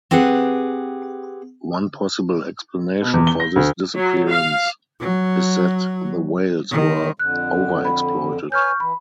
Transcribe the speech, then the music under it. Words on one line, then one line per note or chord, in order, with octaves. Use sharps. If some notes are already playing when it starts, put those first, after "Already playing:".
One possible explanation for this disappearance is that the whales were overexploited.
C4 G4 G#4 B4 F#5
B2
E2
G7
A#6
D2
F#3
F5
F#3
D#3
F2 D3 F#6
B5
B4 C#5 G#5 C#6 F6 G6
E3 B5